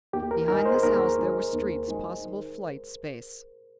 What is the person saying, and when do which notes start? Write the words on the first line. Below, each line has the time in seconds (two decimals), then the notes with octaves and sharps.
Behind this house, there were streets, possible flight, space.
0.13 D#2 G4
0.31 A#4
0.48 D#3 G#3 A#4
0.66 C5
0.75 G#4
0.83 D#2 A#4
1.19 D#3 G#3
1.53 D#2
1.88 D#3 G#3